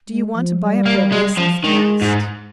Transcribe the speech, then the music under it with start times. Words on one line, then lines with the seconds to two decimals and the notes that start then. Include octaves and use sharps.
"Do you want to buy up their leases?" he asked.
0.08 G#3
0.34 F3
0.60 G3
0.85 A#3
1.12 G#3
1.37 F3
1.63 D#3 G#3
2.01 G#2